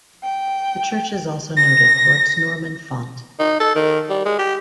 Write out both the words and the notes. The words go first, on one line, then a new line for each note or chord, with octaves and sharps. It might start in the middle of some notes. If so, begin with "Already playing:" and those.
The church is also noted for its Norman font.
G5
A#6
D#4
A4
D#3
G3
G#3
G4